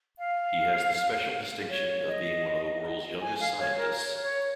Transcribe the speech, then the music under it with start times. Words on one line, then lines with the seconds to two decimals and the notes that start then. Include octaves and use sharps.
He has the special distinction of being one of the world's youngest scientists.
0.19 F5
1.69 C#5
2.07 D#5
3.21 G#5
3.40 F5
3.59 C#5
3.77 A#4
3.96 C#5
4.22 C#5